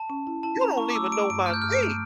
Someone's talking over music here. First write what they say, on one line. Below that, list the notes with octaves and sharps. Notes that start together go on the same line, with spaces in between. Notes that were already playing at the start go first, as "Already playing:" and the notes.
You don't even know my name."
Already playing: A5
C#4
E4
E4 A5
C#4 A#5
E4 C#6
D6
A3 E6
A3 D7
G2 D7
A3 F6
G6
G2 F6
D7
A3